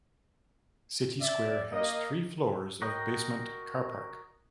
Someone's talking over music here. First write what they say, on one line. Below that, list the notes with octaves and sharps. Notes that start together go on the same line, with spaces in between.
City Square has three floors of basement carpark.
D5 E5
A#3 D#5
F#4 A#4 D#5 G5